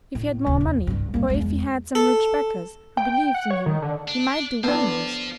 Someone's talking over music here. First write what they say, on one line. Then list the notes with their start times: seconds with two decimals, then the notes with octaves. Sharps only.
If he had more money, or if he had some rich backers who believed in him, he might do wonders.'
0.15 A2
0.46 D1 C#3
0.61 E2
0.87 C2 G2
1.14 G3 A#3
1.30 E2 G#3
1.95 A4
2.97 G5
3.14 G5
3.34 F#5
3.50 C#5
3.66 D#3
3.82 D3
4.08 D4
4.64 B3 D4 F4 C5